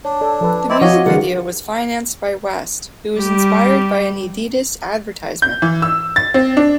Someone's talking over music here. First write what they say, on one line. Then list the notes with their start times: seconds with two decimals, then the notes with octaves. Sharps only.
The music video was financed by West, who was inspired by an Adidas advertisement.
0.05 D4 C#5
0.21 A4 D5
0.41 F3 A4 B4
0.70 C4 E4 D5 D#5 D6
0.81 F3 C4 F#4 C#5 D#5 F5 F#5
1.06 D3 E3 G3 E4 F4 G#4 A#4 F#5
3.17 G3 G4
5.42 G6
5.62 E3
5.82 E6
6.16 A6
6.34 C4
6.57 D4